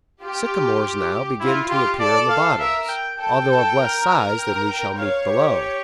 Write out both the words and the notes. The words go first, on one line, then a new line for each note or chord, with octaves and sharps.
Sycamores now begin to appear in the bottoms, although of less size than we shall meet below.
F4 G4
E4 F4
F4 G4
A4 D5
F5
A#4 E5
G5
A4 G5
A4
A#4
G5
G5
C#5 F5
G4